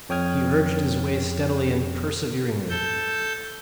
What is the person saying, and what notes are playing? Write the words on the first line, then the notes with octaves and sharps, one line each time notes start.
He urged his way steadily and perseveringly.
F2 C#5 G5 D#6 F6 G#6
A4 G6